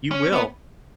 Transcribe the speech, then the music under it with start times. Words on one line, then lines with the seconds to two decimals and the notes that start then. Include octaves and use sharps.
you will.
0.11 C#4
0.33 B3